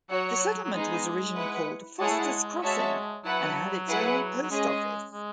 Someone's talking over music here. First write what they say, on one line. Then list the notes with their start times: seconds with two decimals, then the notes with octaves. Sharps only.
The settlement was originally called "Foster's Crossing", and had its own post office.
0.10 F#3 F#4 C#5 F#5
0.64 F#3
0.73 G#3 B3 D#4 G#4
1.36 E4 B4 F#5
2.00 G#3 E4 G#4 C#5 F#5 A5
2.10 A3
2.20 G#3
2.63 G#3 F#4 C#5 E5 A5
3.25 F#3 E4 B4 F#5 A5
3.88 E4 G#4 B4 F#5
4.42 F#3
4.50 G#3 C#4 G#4 D#5
5.13 G#3